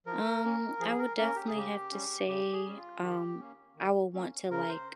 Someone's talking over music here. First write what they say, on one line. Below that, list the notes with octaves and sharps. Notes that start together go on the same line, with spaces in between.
Um, I would definitely have to say, um, I will want to, like,
F3 A#4
A#3 C#4
F3 G#4
A#4
A#3 C#4 A#4
G4
G#4
C#3 G4
G3 C#4
C#3 G4
G#4
G3 C#4
F4
D#3 G4
A#3 C#4
D#3
A#3 C#4
C#3 A#4
C5